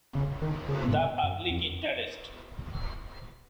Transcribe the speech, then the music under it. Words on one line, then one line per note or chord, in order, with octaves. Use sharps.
The public interest.
C#3
D#3
C#3
G#2
F#2
F2